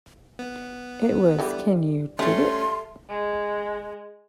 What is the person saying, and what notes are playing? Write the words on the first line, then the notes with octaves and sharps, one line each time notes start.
It was Can You Dig It?
B3
D3 E3 G3
G3 A3 C#4 C6
G#3